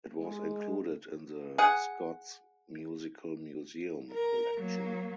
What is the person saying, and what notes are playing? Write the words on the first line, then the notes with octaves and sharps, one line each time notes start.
It was included in the "Scots Musical Museum" collection.
G#3
G#4 F#5
A#4
F#3 A#3